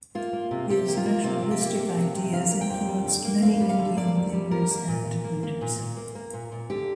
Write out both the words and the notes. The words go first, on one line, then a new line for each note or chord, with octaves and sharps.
His nationalistic ideas influenced many Indian thinkers and leaders.
A#3 F4
A#3
C3
C3 G4
A#3
F4
A#3
C3 F4
C3
G4
A#3
A#3
C3
C3
D3 F5
A#3
G5
F2
G3
D3
A#3
F2 F5
G3
F5
D3
A#3 D5
F2
G3
A#3 A#4
A#3
A#2
A#2
A#3
A#3
A#2
A#2
A#3
A#3
A#2
A#2
D3 G4